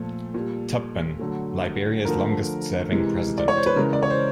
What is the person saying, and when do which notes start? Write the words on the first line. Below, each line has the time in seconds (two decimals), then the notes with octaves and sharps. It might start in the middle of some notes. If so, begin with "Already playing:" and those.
Tubman, Liberia's longest serving president.
Already playing: A#2 F3 A3 A4
0.34 A#2 G3
1.19 D3 F#3 A3
2.05 D3 F3 A3 A#4
2.92 C3 E3 G#3
3.38 D5
3.48 C#5
3.57 C5
3.66 B4
3.76 C#3 E3 G#3 A#4
3.93 D5
4.03 C#5
4.10 C5